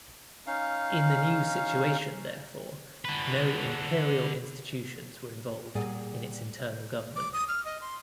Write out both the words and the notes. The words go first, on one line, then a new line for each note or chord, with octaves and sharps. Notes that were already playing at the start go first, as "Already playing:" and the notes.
In the new situation therefore, no Imperial institutions were involved in its internal government.
C#4 D#4 F5
D3 B4
A#2 G3 G#4 D5 F#5 G#5
D6
D#6
F6
D#5
C6